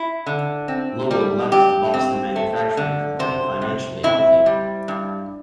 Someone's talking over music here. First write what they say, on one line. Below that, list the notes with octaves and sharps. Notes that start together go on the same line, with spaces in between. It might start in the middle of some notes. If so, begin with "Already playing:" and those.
Lowell left the Boston Manufacturing Company financially healthy.
Already playing: E4
D3
C4
G3
G2 G4
C4
A3
D3
C3 C5
C3
C4 E4
G3
G2